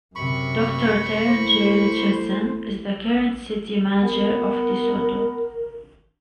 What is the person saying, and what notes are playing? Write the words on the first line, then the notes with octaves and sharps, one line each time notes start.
Doctor Tarron J. Richardson is the current city manager of DeSoto.
F#2 C3 B5 C#6
E3 A3 C5
B3 A#4